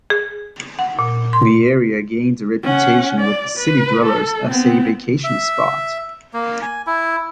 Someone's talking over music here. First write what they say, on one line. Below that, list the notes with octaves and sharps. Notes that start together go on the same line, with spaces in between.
The area gained a reputation with city dwellers as a vacation spot.
G#4
F#5
A#2
C6
C#4 F#5
D5
B4
A4
B3 C4
E5
A#3
G#5
E4